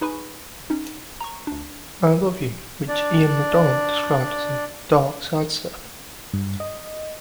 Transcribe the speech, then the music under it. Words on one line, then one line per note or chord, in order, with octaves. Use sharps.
I love "you" which Ian MacDonald described as "a dark sidestep".
D#4 G#4 B4 G#5 B5 C#6
C#4 D#4
A#5 C#6
D2 D4
D4 D5
G2
D#5